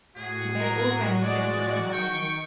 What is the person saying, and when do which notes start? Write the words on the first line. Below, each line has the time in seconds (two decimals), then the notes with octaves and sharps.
She made all grannie's dresses and her own.
0.16 A2 F#4 G#4
0.57 A#4
1.19 G#3 D5
1.93 D#3 G5 C#6